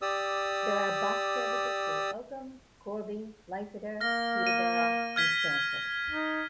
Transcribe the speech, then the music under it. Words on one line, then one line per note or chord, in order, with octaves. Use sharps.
There are bus services to Oakham, Corby, Leicester, Peterborough and Stamford.
G4 D5 D#6 E6
A#3 F6 A#6
D#7
F6 G#6 B6
D#4